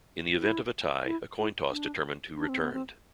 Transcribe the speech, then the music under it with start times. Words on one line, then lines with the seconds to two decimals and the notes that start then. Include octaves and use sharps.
In the event of a tie, a coin toss determined who returned.
0.39 E4
1.06 E4
1.39 E4
1.71 D4
2.37 D4
2.49 C4
2.62 B3
2.73 C4